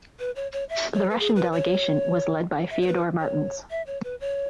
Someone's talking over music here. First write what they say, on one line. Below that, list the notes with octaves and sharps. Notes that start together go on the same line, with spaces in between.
The Russian delegation was led by Fyodor Martens.
B4
C#5
C#5
E5
C#5
B4
G#4
B4
C#5
E5
C#5
B4
C#5
E5
C#5
B4
C#5